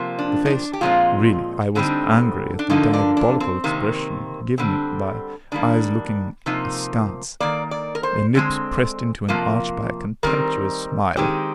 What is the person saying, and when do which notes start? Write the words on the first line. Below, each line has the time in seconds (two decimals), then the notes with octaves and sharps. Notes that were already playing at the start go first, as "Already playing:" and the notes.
The face--really, I was angry at the diabolical expression given it by eyes looking askance, and lips pressed into an arch by a contemptuous smile.
Already playing: C3 F3 A#3
0.19 D4
0.46 D#4
0.50 D4
0.73 G4
0.81 A#2 F3 G#3 C4 F4
1.75 D3 G3 C4 D#4
2.59 D4
2.70 D3 F3 A#3 D#4
2.93 D4
3.17 D4
3.40 C4
3.64 C3 D#3 A#3
4.58 D3 G3 C4
5.52 D#3 G3 A#3 D4
6.46 C3 F3 A#3 D#4
7.40 D#3 A#3 D5
7.71 D5
7.95 A#4
8.03 C5
8.35 D3 G#3 C4
9.28 C3 F3 A#3
10.23 D#3 G3 C4 A#4
11.17 D#3 G#3 C4 G4